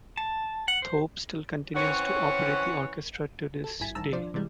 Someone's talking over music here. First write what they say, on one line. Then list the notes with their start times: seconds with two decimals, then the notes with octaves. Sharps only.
Thorpe still continues to operate the orchestra to this day.
0.17 A5
0.68 F#5
0.82 C5
1.75 E3 C4 C#4 C#5 F#5
3.64 A4
3.80 G#1 G2 E4 G#5 B6
3.95 A#1 G2 D#3 A5 A#5 E6
4.12 F3 D4 F4 C5 D5
4.34 C3 E3 G3 G#3